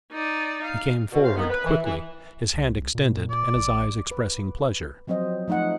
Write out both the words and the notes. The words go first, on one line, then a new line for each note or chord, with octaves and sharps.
He came forward quickly, his hand extended, and his eyes expressing pleasure.
D#4 D5
F5
B2
A2 C#3 C5 F5
D#3 B3
B4
E3
E3
C2
A#2
D5
A1
B4
F3 F#3 C4 C5 D#5
F3 A3 D#4 D#5 F#5